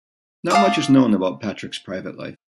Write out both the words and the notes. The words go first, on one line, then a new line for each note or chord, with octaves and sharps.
Not much is known about Patrick's private life.
F5 A5 D6 D#6